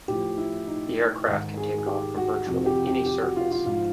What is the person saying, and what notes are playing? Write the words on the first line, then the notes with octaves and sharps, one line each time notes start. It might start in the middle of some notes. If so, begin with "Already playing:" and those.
The aircraft can take off from virtually any surface.
A2 F3 G4
E4
D#4
G#2 D#3
G#4
G#4
G4
F#4
F2 C3 F3 F#4
G4
G4
G4
F#4
F4
F4
G#2 F3 F4